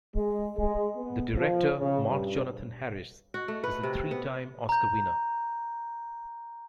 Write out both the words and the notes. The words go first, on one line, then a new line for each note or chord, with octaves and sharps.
The director, Mark Jonathan Harris, is a three-time Oscar winner.
G#3
G#3
B3
F3
C#3
G2
F#4
A3
B4
C3
B3
A#5 G6